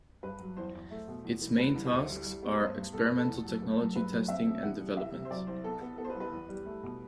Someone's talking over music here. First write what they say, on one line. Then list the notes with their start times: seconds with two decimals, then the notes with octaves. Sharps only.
Its main tasks are experimental technology testing and development.
0.23 G2 B4
0.40 F#3
0.57 E2 C5
0.74 E2
0.91 A3
1.08 B2
1.24 E2
1.41 E3
1.58 C2 B4
1.75 C2
1.86 B4
1.92 D2 C5
2.09 G3
2.26 G3
2.43 B3
2.53 B4
2.59 G2 C5
2.77 G2
2.93 B2 A4
3.05 B4
3.11 B2
3.17 A4
3.27 E2
3.45 F#3
3.62 B3
3.78 F#2
3.95 G2 B4
4.12 F#3
4.28 C4 E5
4.46 B2
4.63 E3 F#5
4.80 G3
4.97 C2 E5
5.13 C3
5.25 C5
5.30 F#3 D5
5.47 C2 C5
5.64 B3 A4
5.81 B3
5.98 B3 A4
6.04 C5
6.09 B4
6.15 C2
6.20 B4
6.32 E2
6.49 G3
6.66 A3
6.83 B2